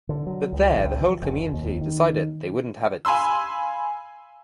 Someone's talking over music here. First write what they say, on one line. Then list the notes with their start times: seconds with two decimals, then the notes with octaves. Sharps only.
But there the whole community decided they wouldn't have it.
0.09 D3
0.26 F#3
0.52 C#2
0.73 A1
0.84 C#2
1.01 F3
1.22 F1
1.53 D#2
1.81 D#3
3.05 F5 G#5 B5 C6 E6